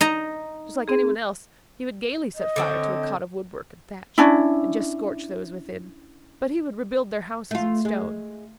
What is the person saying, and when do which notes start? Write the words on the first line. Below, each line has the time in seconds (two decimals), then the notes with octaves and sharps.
Just like any one else, he would gaily set fire to a cot of woodwork and thatch, and just scorch those within; but he would rebuild their houses in stone.
0.01 D#4 A#5
0.88 C4 G#4
2.35 D#5
2.56 D3 C4 C#5
4.18 C#4 D4 E4
7.51 A3 F4
7.85 G#3